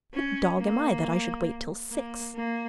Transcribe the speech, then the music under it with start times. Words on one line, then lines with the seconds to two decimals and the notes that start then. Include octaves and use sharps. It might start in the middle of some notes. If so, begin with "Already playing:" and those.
"What dog am I that I should wait till six?"
0.13 C#4
0.58 A#3
1.91 A#3
2.35 A#3